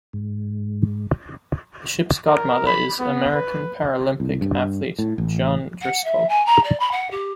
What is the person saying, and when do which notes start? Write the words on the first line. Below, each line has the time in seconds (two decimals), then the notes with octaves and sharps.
The ship's godmother is American paralympic athlete Jean Driscoll.
0.13 G#2
2.28 A#4
2.67 B5
2.99 B3
3.35 B4
4.20 C2
4.41 G2
4.99 A2
5.18 A1
5.81 F#5
6.04 E5
6.29 G#5
6.46 A#5
6.64 D5
6.80 B5
6.91 F#5
7.11 G4